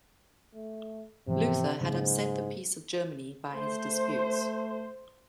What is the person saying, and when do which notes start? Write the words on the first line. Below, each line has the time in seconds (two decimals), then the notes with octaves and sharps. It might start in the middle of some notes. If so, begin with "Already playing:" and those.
Luther had upset the peace of Germany by his disputes.
0.54 A3
1.27 G#2 C3 E3 F3
1.81 G#2 C#3 F#3 A#3
3.54 A3 C5